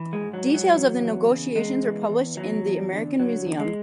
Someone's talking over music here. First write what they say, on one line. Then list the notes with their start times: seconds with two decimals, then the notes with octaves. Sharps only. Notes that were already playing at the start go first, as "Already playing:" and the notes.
Details of the negotiations were published in "The American Museum".
Already playing: E3
0.13 G#3
0.21 G#2
0.33 F#3
0.48 G#2
0.55 F#3
0.75 E3
1.02 E2
1.29 C#3
1.55 E2 G#3
1.83 E3
2.10 E2
2.37 E2 F#3
2.65 E2
2.92 D3
3.20 D3 F#3
3.46 E2
3.59 G#3